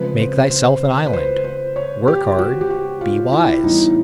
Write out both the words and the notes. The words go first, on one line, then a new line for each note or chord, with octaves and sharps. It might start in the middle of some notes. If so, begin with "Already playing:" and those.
Make thyself an island, work hard, be wise!
Already playing: C#3 F3 G#3 C4 B4
C5
C5
B4
C5
C5
C#5
G4
F#4
G4
F#4
F4
E4
A2 E3 G3 B3 D#4